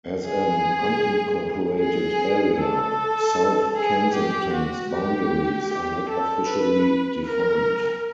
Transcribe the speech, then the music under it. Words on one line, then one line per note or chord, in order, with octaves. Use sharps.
As an unincorporated area, South Kensington's boundaries are not officially defined.
G#4
G#4
A4
G#4
G4
F#4
G4
G4
A4
B4
A#4